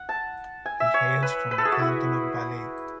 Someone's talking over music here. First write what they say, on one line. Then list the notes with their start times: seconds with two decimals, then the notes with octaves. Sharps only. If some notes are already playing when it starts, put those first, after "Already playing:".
He hails from the canton of Valais.
Already playing: F#5
0.09 A5
0.66 G#5
0.80 E5
0.94 C#5
1.23 B4
1.51 B4
1.58 A4
1.65 G#4
1.72 F#4
1.79 E4